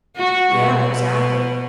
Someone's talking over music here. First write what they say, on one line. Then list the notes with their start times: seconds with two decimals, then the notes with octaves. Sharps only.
Yeah, exactly.
0.17 F#4
0.55 B2